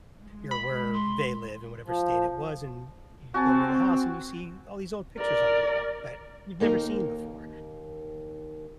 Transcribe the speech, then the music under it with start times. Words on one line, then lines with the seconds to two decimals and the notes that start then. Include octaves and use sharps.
you're where they live, and whatever state it was, and you go into the house, and you see all these old pictures on the wall that you've never seen before,
0.20 G#3
0.51 B5
0.94 C6
1.86 F3
3.34 C4 F#4 G#5 A5
5.18 A#4 D5
6.60 D#2 A#3 D#4 A#4